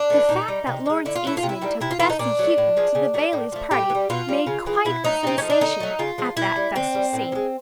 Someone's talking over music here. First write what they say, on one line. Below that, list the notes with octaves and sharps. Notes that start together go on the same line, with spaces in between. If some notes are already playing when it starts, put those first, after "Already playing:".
The fact that Lawrence Eastman took Bessy Houghton to the Baileys' party made quite a sensation at that festal scene.
Already playing: D4
E3 A3
A#2 D#4
G3
C3
F3
G#3
D3 E4
F4
F#3 A3 E4
F4
C3
E4
D#3 G3
C3 E4
F4
E3 A3 E4
D#4
A#2 D4
F#3 A3
A2
F3 G#3
C#3
F#3 A3
A2
F3 A3
A2 G4
E3
G3
B2 F4
G3
C#3
E3 G#3
B2 E4
F#3 A3 D#4
C3 C4
C#4
F3 A3
D4
D3 D#4
F#3 A3
C#3 F4
F3 G#3
B2 E4
G3
D3 C4
G3
A2
F3
G#3